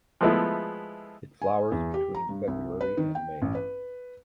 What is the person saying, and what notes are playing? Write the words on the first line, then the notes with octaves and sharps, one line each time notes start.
It flowers between February and May.
F3 G#3 A3 B3 E4 G#4
G#5
E2
G4
A#5
G2
C2
B4
D#3
G5
A1
B4